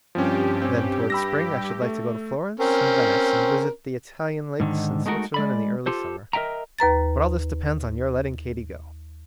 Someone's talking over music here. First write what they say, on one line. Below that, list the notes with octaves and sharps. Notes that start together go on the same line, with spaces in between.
Then toward spring I should like to go to Florence and Venice, and visit the Italian lakes and Switzerland in the early summer. But all this depends on your letting Katy go.
G2 F3 C4 C#4 G4
C4 C#4
B5 E6 A#6
A3
C4 C#4 A#4
G#2 D3 D#3
G#3 A3 D#4 F#4 A#4
G#3 D5 B5
F4 G4 A4 C5
A#4 D#5 E5 G5 A#5
D#2 B4 A#5 A6